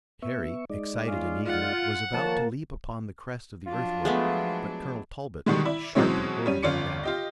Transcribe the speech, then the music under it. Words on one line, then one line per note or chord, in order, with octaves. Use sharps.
Harry, excited and eager, was about to leap upon the crest of the earthwork, but Colonel Talbot sharply ordered him down.
B3 E5 C#6
G#3 D#4 D5
C#4 F4 F5
F4 F#5
F2 D#3 F3 A#3 C#5 A5 A#5
F3 F#3 D4 F4
G#3 A3 B3
B2 D3 D#3 G3 G#3
E4 D5
B2 E3 F#3 G#3 C4 C#4
G3 C#4 D#7
G1 C#4 F4 D5 C#7
F4 G4 D#5